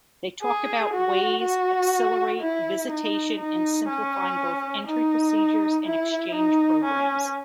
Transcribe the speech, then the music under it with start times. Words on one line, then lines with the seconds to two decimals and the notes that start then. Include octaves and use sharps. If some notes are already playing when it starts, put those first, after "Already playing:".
They talked about ways accelerate visitation and simplifying both entry procedures and exchange programs.
0.43 G#4
0.93 F#4
1.42 F#4
2.41 E4
2.90 D#4
3.39 D#4
3.88 C#4
4.87 D#4
5.86 E4
6.35 D#4
6.84 C#4